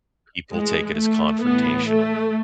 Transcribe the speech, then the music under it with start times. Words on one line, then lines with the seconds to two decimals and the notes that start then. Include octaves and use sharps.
people take it as confrontational,
0.51 A2 E3 G#3
0.97 A3
1.42 A2 E3 B3
1.88 A3